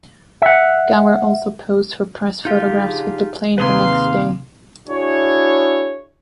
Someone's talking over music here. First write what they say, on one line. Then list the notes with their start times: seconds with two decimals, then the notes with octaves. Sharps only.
Gower also posed for press photographs with the plane the next day.
0.42 E5 F#5
2.45 D3 D#4 F4 G4 G#4
3.58 D#2 A2 C3 D#4 G#4 B4 F5 C6
4.88 D4 E4 F#4 G#4 C#5